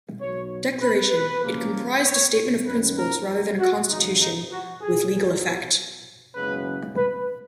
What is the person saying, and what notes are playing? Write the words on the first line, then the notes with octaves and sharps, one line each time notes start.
Declaration, it comprised a statement of principles rather than a constitution with legal effect.
B1 B2 F#3 B3 C#5
B4
B4
C#2 C#3 F3 A#3
C#5
F#2 D#3 A#3 C#4 B4
A#4
F#4
G#1 F#2 C#3 F3 D#4
D#4
F#4
G#4
B1 B2 F#3
F#1 F#2 C#3 G#3 B3 B4
B4